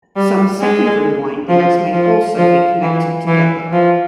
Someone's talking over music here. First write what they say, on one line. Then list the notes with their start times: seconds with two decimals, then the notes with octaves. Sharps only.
Some secondary windings may also be connected together.
0.16 G3
0.61 G#3
1.48 F3
1.93 F3
2.37 F3
2.82 E3
3.27 E3
3.72 F3